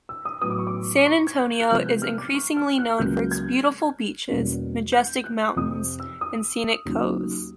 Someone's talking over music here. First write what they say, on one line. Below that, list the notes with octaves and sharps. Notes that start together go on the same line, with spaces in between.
San Antonio is increasingly known for its beautiful beaches, majestic mountains and scenic coves.
E6
D#6
A2 F#3 B3 D#6
D6
C#6
D6
C#6
G#6
G6
F#6
C3 F3 G#3 B3 G6
F#6
F6
D6
C#6
F6
F#6
C#2 C#3 F#3 A#3 G6
G#6
E2 B2 G3 A#3 C#4
G6
F#6
F2 C3 F3 D#6
E6
D#6
D#2 C#3 F#3